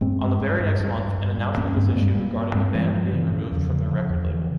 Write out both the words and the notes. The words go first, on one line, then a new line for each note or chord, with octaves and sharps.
On the very next month, an announcement was issued regarding the band being removed from their record label.
G2 G#3 C4
G2
G2
G2
G2
G2
G2
G2
G2 A#3 C#4
G2 G#3 C4
G2 G3 A#3
G2 G3 A#3
G2
G2 G#3 C4
G2 E3 G3
G2 F3
C#3 E3
C#3
E2 F3
C#3
C#3 F3
E2
C#3 E3